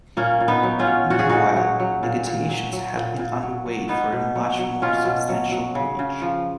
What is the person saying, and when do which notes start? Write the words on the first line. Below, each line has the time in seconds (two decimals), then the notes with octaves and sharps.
Meanwhile, negotiations had been underway for a much more substantial bridge.
0.17 A#2 A#3 C#4
0.41 A#2
0.48 B3 D#4
0.63 F#3
0.79 C#4 F4
0.87 F#3
1.10 A#2 F#4
1.19 G#4
1.30 A#2 D#4 F#4
1.56 F#3
1.80 F#3
2.03 A#2
2.27 A#2
2.49 F#3
2.73 F#3
2.96 A#2
3.19 A#2
3.43 F#3
3.66 F#3
3.88 B2 B3 D#4
4.13 B2
4.35 F#3
4.59 F#3
4.82 B2 C#4 F4
5.05 B2
5.29 F#3
5.52 F#3
5.75 C#3
5.99 C#3
6.22 F3